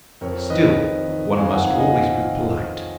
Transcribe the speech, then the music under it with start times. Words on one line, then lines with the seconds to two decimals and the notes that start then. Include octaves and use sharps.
Still one must always be polite.
0.21 F2 A#4 C#5
0.50 D#3 B4 D#5
0.79 F2
1.08 D#3
1.37 F2 F5 G#5
1.50 F#5 A#5
1.65 D#3 F5 G#5
1.79 D#5 F#5
1.94 F2 F5 G#5